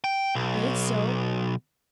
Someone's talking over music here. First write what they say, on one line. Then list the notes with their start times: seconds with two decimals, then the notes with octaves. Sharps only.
Be it so.
0.04 G5
0.35 B1